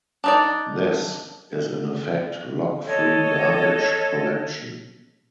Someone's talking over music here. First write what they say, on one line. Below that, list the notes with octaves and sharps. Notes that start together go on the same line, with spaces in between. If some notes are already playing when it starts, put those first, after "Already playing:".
This is in effect lock-free garbage collection.
D4 D#4 D5
A4 C#5 D#5